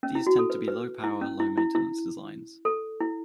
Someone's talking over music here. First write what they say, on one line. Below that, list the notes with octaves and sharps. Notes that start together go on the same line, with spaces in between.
These tend to be low power, low maintenance designs.
C#4
E4
F#4
A4
B4
B4
E4
C#4
E4
E4
E4
A4
E4